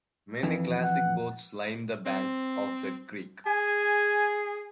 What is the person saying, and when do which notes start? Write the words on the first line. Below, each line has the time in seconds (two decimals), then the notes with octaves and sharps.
Many classic boats line the banks of the creek.
0.43 F2 E3
0.82 F#5
2.06 C4
3.46 G#4 G#5